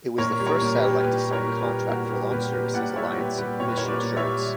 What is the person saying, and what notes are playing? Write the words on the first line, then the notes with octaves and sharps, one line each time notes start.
It was the first satellite to sign contract for Launch Services Alliance mission assurance.
A#2 A#4 C#5
G3
A#4 C#5
A#2
G4 B4
G3
A#2 G4 B4
G3
A#4 C#5
A#2
G4 B4
G3
A#2 F#4 A#4
G3 G4 B4
A#2 G4 B4
G3 G4 B4
A#2 D5 F#5
G3 C#5 E5
A#2 G4 B4
G3 G4 B4
A#2 C#5
B4
G3 A#4 C#5
B4 D5
A#2
C#5 E5
G3